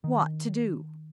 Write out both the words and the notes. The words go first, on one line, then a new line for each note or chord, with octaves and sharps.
"What to do?"
D#3